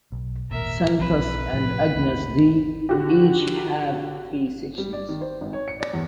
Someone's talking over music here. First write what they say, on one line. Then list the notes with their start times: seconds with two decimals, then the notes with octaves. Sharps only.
Sanctus and Agnus Dei each have three sections.
0.12 B1
0.51 D#1 G#1 A#2 A#4 E5
0.99 B1 C4 B4
1.53 A2 C3 F3
1.95 D2
2.89 D3 F#4 G4
4.78 G3
4.93 D5
5.09 D#3
5.21 C5
5.41 G#1
5.53 C#5
5.68 C#7
5.80 D5
5.93 E2